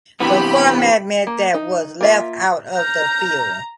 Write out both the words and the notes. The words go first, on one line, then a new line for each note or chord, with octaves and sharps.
The format meant that was left out of the field.
C3 E3 B3 G4 B5
A#3
D#4
A#3 F4 E5
A#5 F6 G6